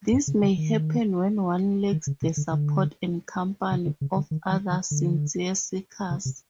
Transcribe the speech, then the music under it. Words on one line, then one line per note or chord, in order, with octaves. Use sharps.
This may happen when one lacks the support and company of other sincere seekers.
G2
C#3
D3
D#3
D#3
C#3
C3
D3
D3
C#3
D3
C#3
D3
D#3
E3
D#3
D3
C#3
C3